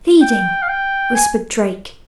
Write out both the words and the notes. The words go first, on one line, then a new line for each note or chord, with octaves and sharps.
"Feeding!" whispered Drake.
G5
F5
G5
G#5